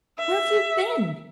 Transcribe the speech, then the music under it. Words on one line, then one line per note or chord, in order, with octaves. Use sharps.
"Where've you been?"
E5